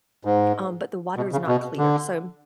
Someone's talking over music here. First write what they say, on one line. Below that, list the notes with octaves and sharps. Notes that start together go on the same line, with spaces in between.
um, but the water is not clear, so
G#2
B2
C#3
B2
D3